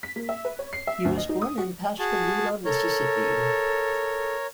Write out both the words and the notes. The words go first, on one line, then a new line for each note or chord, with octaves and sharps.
He was born in Pascagoula, Mississippi.
B6
A#3
E5
B4
C#5
C7
E5
D2
D#5
D#4
D#6
F#4
F#4 G#4 A5
A4 A#4 C#5